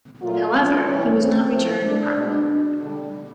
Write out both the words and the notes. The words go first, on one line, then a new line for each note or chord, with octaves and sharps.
However, he was not returned to Parliament.
A#2 F#3 A3 F4
C3 E3 G3 C#4
C4
A2 F3 A3
D4
B2 G#3 D4
D3 G3 D4